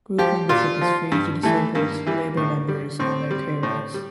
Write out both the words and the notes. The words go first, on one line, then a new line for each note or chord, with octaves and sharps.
Group membership is free to disabled Labour members and their carers.
F3 G4
A#2 F4
F3
G2
E3 G3 A3
G2 A#3
E3 G3
A2
G3
A2 C4
G3
A2
G3